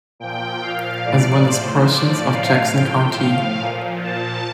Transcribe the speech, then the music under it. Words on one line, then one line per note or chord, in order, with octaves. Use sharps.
As well as portions of Jackson County.
A#2 F3 G5
F5
A2 F3 D5
C5
A2 F3 D5
F5
A2 F3 G5
F5
A#2 F3
A5